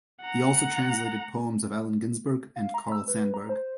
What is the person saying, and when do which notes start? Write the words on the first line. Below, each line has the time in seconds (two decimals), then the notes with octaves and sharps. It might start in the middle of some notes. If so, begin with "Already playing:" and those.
He also translated poems of Allen Ginsberg and Carl Sandburg.
0.21 F#5 A#5
2.56 F5
2.74 A#5
2.92 E6
3.08 B4
3.34 A#5
3.49 C5